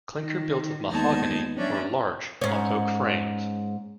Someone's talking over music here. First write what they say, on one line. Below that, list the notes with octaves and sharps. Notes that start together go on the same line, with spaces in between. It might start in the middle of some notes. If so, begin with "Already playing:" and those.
Clinker built of mahogany or larch on oak frames.
D#3
D#2 G#3 B3 D#4 A5 G#6
F#3 C#4 D4 D5 E5
G#2 C#4